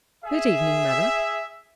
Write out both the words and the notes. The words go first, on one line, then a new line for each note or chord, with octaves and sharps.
'Good evening, Mother.'
G#4 E5